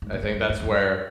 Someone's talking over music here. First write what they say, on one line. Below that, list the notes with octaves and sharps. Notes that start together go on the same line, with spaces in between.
I think that's where
G#2
A#2
G#2
G2
G#2
F2
G2